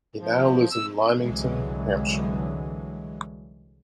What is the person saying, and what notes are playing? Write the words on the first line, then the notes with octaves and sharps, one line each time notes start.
He now lives in Lymington, Hampshire.
F3
E6
C2 D3 E3 F#3 G#3